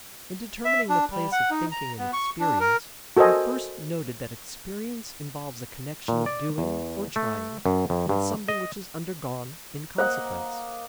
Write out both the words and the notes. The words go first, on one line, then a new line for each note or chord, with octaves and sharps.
In determining the place of thinking in experience we first noted that experience involves a connection of doing or trying with something which is undergone in consequence.
E5
D4
G3
F#5
D#4
A#5
B3
C#6
D4
A#4
F#4 A4 A#4 C5 D#5 G#5
A#2
D5
E2
A3
F#2
F2
G2
D#5
A#3 C5 D#5 F#5